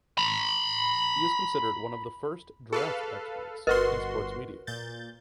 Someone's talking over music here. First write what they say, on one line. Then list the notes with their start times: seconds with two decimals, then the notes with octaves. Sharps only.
He is considered one of the first "draft experts" in sports media.
0.18 A#5 B5
2.73 G#4 A4 B4 F5
3.67 G1 F#4 A#4 B4 D#5 C6
4.67 A#2 G6 A6